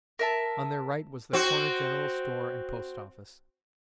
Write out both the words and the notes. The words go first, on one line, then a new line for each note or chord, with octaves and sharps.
On their right was the corner general store and post office.
A#4 E5 A5
C4 F#4